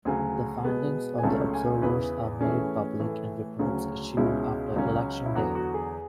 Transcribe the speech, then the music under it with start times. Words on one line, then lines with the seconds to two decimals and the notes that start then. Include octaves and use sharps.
The findings of the observers are made public in reports issued after election day.
0.05 D2 C#3 F#3 G#5
0.65 B2 G#3 B3
1.18 G#5
1.23 C#2 C#3 F#3 A3 C#4 A5
1.54 G#5
1.82 E2 C#3 E3 B4
2.41 A2 E3 A3 C#4 G#4
3.00 A2 E3 A3
3.59 D2 C#3 F#3 C#4
4.17 C#2 B2 G#3 C#4 E4
4.76 C#2 C#3 F#3 C#4
5.26 E4
5.35 E2 D3 F#3 F#4
5.55 F#4
5.74 G#4